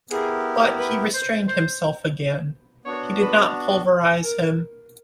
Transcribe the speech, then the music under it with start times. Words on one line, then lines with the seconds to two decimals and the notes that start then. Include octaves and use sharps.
But he restrained himself again — he did not pulverise him.
0.10 B3 E4 G4 G#4 A#4
0.79 B4
1.14 C5
1.48 C5
2.85 B3 D4 F#4 C#5
3.20 B4
4.23 A#4